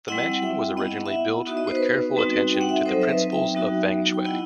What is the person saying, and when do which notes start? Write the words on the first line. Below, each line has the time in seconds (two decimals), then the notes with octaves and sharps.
The mansion was originally built with careful attention to the principles of Feng Shui.
0.08 G3 C4 E4 D#5 F#5
0.32 F#5
0.42 E5 G5
0.70 G5
0.77 B3 E4 D#5 F#5
1.06 E5
1.12 D#5 F#5
1.47 B3 D#4 F#4 E5
1.57 D#5
1.67 C5
1.77 B4 D#5
2.16 G3 C4 D#4 F#4
2.54 G5
2.61 F#5
2.69 E5
2.78 D#5
2.86 F#3 C4 D#4 A4 C5
3.02 E5
3.09 B4 D#5
3.32 E5 G5
3.55 F#3 B3 D#4 F#4
4.14 G5
4.24 B3 E4 D#5 F#5